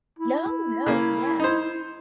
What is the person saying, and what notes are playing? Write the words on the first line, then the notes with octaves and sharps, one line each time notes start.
No, no, yeah.
E4
C#3 A#3
D#4 C5